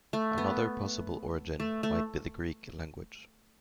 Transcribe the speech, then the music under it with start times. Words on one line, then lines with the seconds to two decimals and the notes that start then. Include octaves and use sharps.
Another possible origin might be the Greek language.
0.13 A3
0.38 B3
1.60 A3
1.83 A3